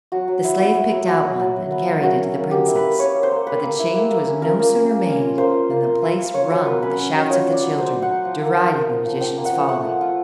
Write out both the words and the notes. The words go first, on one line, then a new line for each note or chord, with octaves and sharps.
The slave picked out one and carried it to the princess; but the change was no sooner made than the place rung with the shouts of the children, deriding the magician's folly.
F#3 F#4
F#3
E4
B3
E4
F#3
F#3 F#4
F#3
F#3
F#3
B3
F#3
A#3 F#4
C#4
A#3
A#3 G4
E4
B4
A#3
A#3 C#5
A#3
C5
A#3
A#3 B4
A#3
E4
A#3
A#3
C#4
F4 A#4
A#3
C#4
A#3
C#4
F4
A#3 C5
F4
A#3
F4
F4
F4
F4 C#5
F#3 C5
A#3 B4
C#4 B4
C#4
F#3
F4 C#5
F4
D5
F#3
D#4 C5
D#4
F#5
D#4
F3
A#3
D#4
A#3
F3
F3
F3 G5
A#3
F#5
F3
A3 F#5
F4
F4